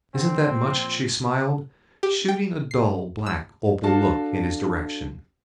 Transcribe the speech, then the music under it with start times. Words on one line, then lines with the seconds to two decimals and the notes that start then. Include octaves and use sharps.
"Isn't that much?" she smiled, shooting a dull, black-opal look in his direction.
0.15 D3 C4
0.64 A#2 F3
2.03 G4
2.28 G5
2.71 C7
3.26 E6
3.83 D4 F#4 A4 F5 A5